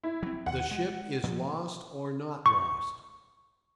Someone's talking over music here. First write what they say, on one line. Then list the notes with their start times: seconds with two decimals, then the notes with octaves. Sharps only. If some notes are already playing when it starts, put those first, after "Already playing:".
The ship is lost or not lost.
0.04 E4
0.23 F#3 C4
0.46 D#2 F#5
0.71 G#3
1.23 A#2 F3
2.46 C#6